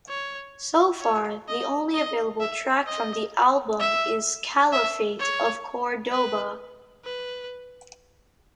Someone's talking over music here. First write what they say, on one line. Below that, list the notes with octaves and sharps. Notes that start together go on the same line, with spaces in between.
So far, the only available track from the album is "Caliphate of Cordoba".
C#5
C#5
D#5
D#5
E5
D#5
E5
E5
C#5
B4
B4